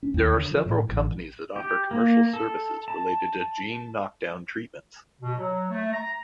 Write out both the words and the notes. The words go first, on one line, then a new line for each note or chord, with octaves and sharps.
There are several companies that offer commercial services related to gene knockdown treatments.
C#4
D#2
D3
F3
A2
A1
G4
A#3
A4
A5
B2
F#3
A3
A#5